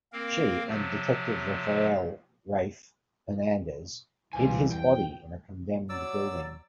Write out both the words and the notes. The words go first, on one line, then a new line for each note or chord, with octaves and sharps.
She, and Detective Raphael "Rafe" Hernandez hid his body in a condemned building.
A#3 C4 A#4 F5
C3 F3 F#3 A3
C#2 E3 F3 G3 G#5
F2 G5
F#3 D5 D6 E6